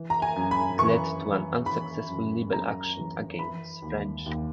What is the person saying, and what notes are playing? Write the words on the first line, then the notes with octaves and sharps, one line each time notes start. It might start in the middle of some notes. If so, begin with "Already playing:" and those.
It led to an unsuccessful libel action against French.
Already playing: E3
A#5
G#5
F#2
B5
E3 C#6
E3
E3 B5
F#2
F#2 A#5
E3
E3 B5
D#2
D#2